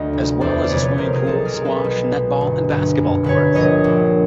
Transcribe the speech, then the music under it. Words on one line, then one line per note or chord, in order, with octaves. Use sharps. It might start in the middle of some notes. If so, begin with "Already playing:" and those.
As well as a swimming pool, squash, netball and basketball courts.
Already playing: D2 D#5
F1
E2 C5 D5
D5
F1 B4 C#5
B4 C#5
F1 A#4 C5
G#4 A#4
B1 A4
G#4 A#4
B1
A4 B4
B1
B2
G1
G1
F#2
G1 B4 C#5
A#1 C#5 D#5
A#1